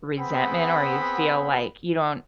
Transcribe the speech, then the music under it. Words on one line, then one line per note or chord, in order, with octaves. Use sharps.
resentment or you feel, like, you don't
B3 C4 G#4 F#5 B5